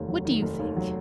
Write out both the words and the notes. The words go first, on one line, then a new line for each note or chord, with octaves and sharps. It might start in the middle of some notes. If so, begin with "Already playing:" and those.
What do you think?'
Already playing: F1 D#2 D#3
F#3
D#3
F1
D#2
F#3